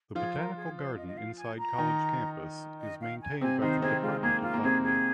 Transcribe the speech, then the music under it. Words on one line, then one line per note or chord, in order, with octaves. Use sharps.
The Botanical Garden inside college campus is maintained by the Department of Botany.
F3 F4 G#4
A#4
G#4
C5
D#5
D#5
F5
G#5
A#5
D#3 D#4
D#5
F5
G#5
C3 C4 G#5
D#3 D#4 C5
C3 C4 G#4
G#3 F4
A#3 G#4
F4
A#3
C3 C4 G#4
G#4